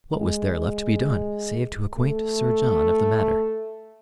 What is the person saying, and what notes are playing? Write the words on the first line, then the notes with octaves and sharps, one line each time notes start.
What was there left to be done, save to acquaint Sir John of the matter.
G#3
A3